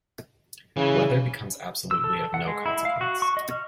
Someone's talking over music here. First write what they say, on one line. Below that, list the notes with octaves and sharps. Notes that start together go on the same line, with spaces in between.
Weather becomes absolutely of no consequence.
C#3 E3
E6
A4
F#5
G#3
E4
F5
F#4
C#6
D#5
F6